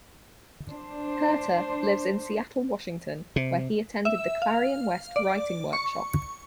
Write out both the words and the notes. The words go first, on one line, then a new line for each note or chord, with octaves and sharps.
Herter lives in Seattle, Washington, where he attended the Clarion West writing workshop.
D4 C5
C3
E5
F5
D5
C#6